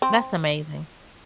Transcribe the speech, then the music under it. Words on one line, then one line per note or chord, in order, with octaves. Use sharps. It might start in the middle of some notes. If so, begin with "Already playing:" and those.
That's amazing.
C4